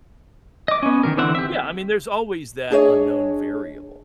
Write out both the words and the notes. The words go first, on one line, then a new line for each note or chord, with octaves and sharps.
Yeah, I mean, there's always that unknown variable.
D#5 D6
B3 C#4
D#3 G3 A#4
D3 E3 C4 E5 F#5
G4 E5
D4 G#4 C#5 D#5